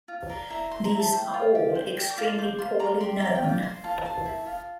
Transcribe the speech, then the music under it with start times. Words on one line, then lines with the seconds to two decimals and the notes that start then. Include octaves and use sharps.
These are all extremely poorly known.
0.08 F4
0.29 D5 A#5
0.50 E4 A#5
0.71 C5 C6
0.85 A#5
0.92 E4
1.00 A5
1.12 C5 G5
1.34 F4
1.55 G4
1.75 C5
1.97 D5 G5
2.10 D6
2.18 F4
2.24 C6
2.38 C5 D6
2.58 F4 C6
2.79 D5 A#5
3.00 G4 C6
3.21 D5 A#5
3.35 G5
3.42 F4
3.49 D6
3.63 C5 C6
3.84 F4 A5
4.05 C5 A5
4.25 E4
4.47 F4